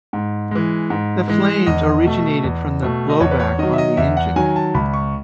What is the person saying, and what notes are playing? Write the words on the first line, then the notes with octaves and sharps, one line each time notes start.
The flames originated from the blowback on the engine.
G#2
E3 G#3
G#2
E3 G#3
E2 D#5
B2 A3
E2
B2 A3
D#5
E2 C#5
B4
C#5
D#3 F#3 D#5
E5
D#5
E2 E5
F#5
D#3 F#3 G#5
A5
C#2 B5
C#6